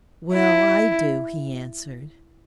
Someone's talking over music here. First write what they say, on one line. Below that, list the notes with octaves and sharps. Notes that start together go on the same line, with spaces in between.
"Well, I do," he answered.
E4